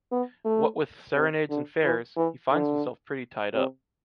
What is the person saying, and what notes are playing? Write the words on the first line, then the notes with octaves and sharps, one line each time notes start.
What with serenades and fairs, he finds himself pretty tied-up.
B3
A3
C3
D3
E3
E3
D3
C3